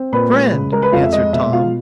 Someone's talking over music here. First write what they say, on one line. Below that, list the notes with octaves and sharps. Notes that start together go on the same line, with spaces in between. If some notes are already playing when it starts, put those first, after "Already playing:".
"Friend," answered Tom.
Already playing: C4
A#2 B4 B5
G#3
C#3
G#3 A#4 A#5
B4 B5
F2 F4 F5
E5
G#3 D#5
B2 E5
G#3 F4 F5